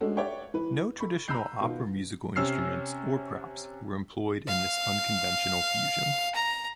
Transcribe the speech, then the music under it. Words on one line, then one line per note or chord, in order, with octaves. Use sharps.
No traditional opera musical instruments or props were employed in this unconventional fusion.
G#3 A3 C#4 D4 F#4 A4
C#5 D5 E5 F#5 G5 C#6
E3 B4
A4 B5 C#6
A#5 B5 E6 F#6 G6 C7
B2 D#3 B3 F4
C3 C#4 E6 F6 C7
F5
A#5